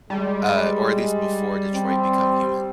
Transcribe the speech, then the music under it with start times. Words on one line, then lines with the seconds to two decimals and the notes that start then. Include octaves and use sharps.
uh, or at least before Detroit: Become Human,
0.10 G3 G#3
1.74 C4